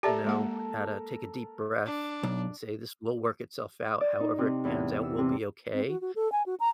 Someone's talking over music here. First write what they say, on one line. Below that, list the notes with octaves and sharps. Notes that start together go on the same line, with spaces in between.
you know, at a take a deep breath and say, "This will work itself out. However it pans out will be okay,"
G4 A4 A#4 D5 E5 A5
G#3 A#3 F#5
D4
B1
D5
D#4
C3
E2
E6
C3
C4
F#4
F#4
A4
G#5
F#4
A#5